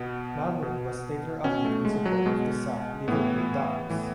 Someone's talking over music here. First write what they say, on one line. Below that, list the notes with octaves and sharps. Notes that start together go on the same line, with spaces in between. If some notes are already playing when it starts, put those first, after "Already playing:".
Mahmood was later active in support of the sacked Liverpool Dockers.
Already playing: B2 B3
B2
B2 C#4
A3
G#3
F#3
B2 G#3
A2 E3 B3
A2 E3